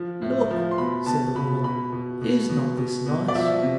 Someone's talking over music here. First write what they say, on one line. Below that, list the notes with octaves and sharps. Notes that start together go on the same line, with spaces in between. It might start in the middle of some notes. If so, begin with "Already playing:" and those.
"Look!" said the woman, "is not this nice?"
Already playing: F3
A2
F3
C6
B2 B5
B2 A5
B2 B5
B2 B5
B2
B2
B2
B2
B2
D5
F3 E5
C3